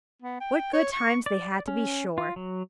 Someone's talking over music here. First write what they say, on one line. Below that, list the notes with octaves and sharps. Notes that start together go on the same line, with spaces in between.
What good times they had, to be sure.
B3
G5
C#5
C#6
D5
C#4
F4
F#3